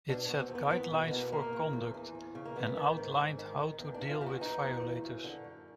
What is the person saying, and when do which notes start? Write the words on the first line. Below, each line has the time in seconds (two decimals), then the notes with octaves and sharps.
It set guidelines for conduct and outlined how to deal with violators.
0.09 B2 D4
0.28 B2 B3
0.40 C4
0.50 E2
0.55 B3
0.71 E2 B3
0.91 B2
1.04 B3
1.11 B2 A#3
1.32 E2 A#3
1.53 C#3
1.73 E2
1.94 E3
2.15 E2
2.35 C#3
2.45 A#3
2.56 D#3 B3
2.76 D#3
2.98 G#2
3.17 G#2
3.39 D#3
3.59 D#3
3.79 E2
3.94 D4
4.01 C#3
4.10 F4
4.21 E2 G4
4.26 F#4
4.41 E3 D#4
4.62 E2
4.82 C#3
5.04 F#2
5.24 D3
5.44 F#2